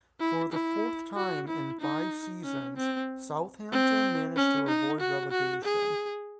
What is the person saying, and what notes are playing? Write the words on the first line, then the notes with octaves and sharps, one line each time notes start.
For the fourth time in five seasons, Southampton managed to avoid relegation.
E4
E4
F#4
E4
D#4
C#4
C4
C4
C#4
D#4
F#4
F#4
G#4